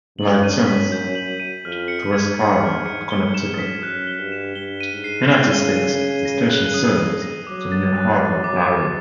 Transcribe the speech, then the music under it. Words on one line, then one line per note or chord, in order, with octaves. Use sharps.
Licensed to West Haven, Connecticut, United States, the station serves the New Haven area.
F#2 F#7
D#7
B6
G6
F#7
D#7
F2 F6
C#7
G#6
G2 F6
F6
G#2
C#7
F#2 G7
E7
B6
F#2 F#6
G7
G2
E7
G2 G7
D#7
G#2
C7
C#3 G#6
G7
D#7
D#7
A#6
F#6
D#6
D#7
A#6
F#3 D6
A6
F#6
D6
D6
A6